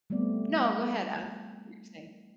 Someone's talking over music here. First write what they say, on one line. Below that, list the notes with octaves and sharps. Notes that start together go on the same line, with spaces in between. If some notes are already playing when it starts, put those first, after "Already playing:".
No go ahead, ask me what you're saying.
G3 A3 B3 C4 D5